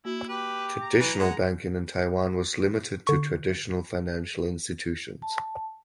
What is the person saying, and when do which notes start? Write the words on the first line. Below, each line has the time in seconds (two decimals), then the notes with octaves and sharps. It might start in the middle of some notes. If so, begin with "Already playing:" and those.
Traditional banking in Taiwan was limited to traditional financial institutions.
0.05 A#3 E4 F#4
0.28 G4 B4
0.82 A#5
1.00 E3 F#3
1.20 G#3 F#5
3.07 D3 C#6
5.22 A5